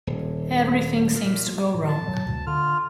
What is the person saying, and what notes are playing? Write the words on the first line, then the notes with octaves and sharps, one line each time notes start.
Everything seems to go wrong.
D#1
A#2
A2
A5
F#3
D2
D3 F4 F6